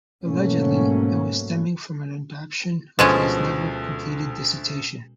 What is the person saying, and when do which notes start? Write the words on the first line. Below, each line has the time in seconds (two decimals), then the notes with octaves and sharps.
Allegedly, it was stemming from an adaption of his never completed dissertation.
0.24 G#2 B2 F#3 A3 A#3 C#4
2.99 D2 B2 F3 G#3 C#4